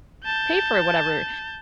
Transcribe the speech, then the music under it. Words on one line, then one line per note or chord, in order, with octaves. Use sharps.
pay for whatever
A5 G6